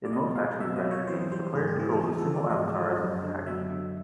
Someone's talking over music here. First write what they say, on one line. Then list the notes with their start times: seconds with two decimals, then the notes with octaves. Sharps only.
In most action-adventure games, the player controls a single avatar as the protagonist.
0.05 D5
0.12 B2 D#5
0.35 B2 F5
0.60 B2 E5
0.76 D#5
0.84 F#3
0.91 C#5
1.07 E3 C5
1.32 G3 C5
1.55 G#2 G#4
1.67 G4
1.79 E3 G#4
1.91 G#4
2.03 F3 G#4
2.18 A4
2.27 F3
2.35 D5
2.50 G#2 D#5
2.75 F3
2.98 F#2
3.22 D3
3.47 F#3 E5
3.69 D3